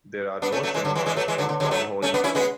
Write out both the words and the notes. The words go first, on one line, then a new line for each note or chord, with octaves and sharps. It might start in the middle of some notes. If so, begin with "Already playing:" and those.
There are no cinemas in Cornholme today.
B3 D4
A3 C#4
F#3 A3
E3 G#3
D3 F#3
E3 G#3
E3 G#3
F#3 A3
E3 G#3
D3 F#3
D3
D3 F#3
G#3
F#3 A3
A3 C#4
B3 D4
C#4 E4
G#3 B3